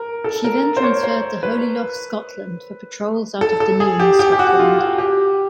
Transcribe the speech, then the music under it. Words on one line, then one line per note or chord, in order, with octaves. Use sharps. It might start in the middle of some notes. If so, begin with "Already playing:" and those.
She then transferred to Holy Loch, Scotland, for patrols out of Dunoon, Scotland.
Already playing: A#4
A4
A#4
C5
C#5
C5
B4
A4
A4
G#4
G4
G4
G4
F#4
F4
F#4
G4